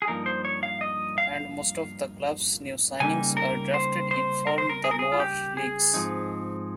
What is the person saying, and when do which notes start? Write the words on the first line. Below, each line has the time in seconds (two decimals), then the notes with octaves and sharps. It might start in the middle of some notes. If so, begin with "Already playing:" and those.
And most of the club's new signings were drafted in from the lower leagues.
0.02 G#4
0.07 G2 F3 A#3 D#4 A#4
0.26 C5
0.45 C#5
0.63 F5
0.81 D#5
1.18 F5
3.00 C#3 G3 A#3 D#4 G#5
3.37 A#4
3.74 C5
4.11 C5
4.47 A#4
4.58 C5
4.69 A#4
4.84 G#4
4.91 A#4
4.99 G#4
5.12 F4
5.20 G4
5.57 G#4
5.94 G#2 F3 C4 D#4